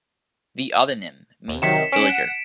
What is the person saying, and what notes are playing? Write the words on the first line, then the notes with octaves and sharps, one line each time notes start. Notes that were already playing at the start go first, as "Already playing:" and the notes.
The autonym means "villager".
D#2
C3 D#3 F#3 B6 C#7 E7
C#4 B6 D7 E7
F#5